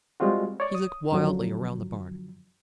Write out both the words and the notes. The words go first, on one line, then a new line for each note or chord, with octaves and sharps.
He looked wildly around the barn.
G3 G#3 C4 F4 F#4
C#5 D5
D#6
F#2 D3 F3 F#3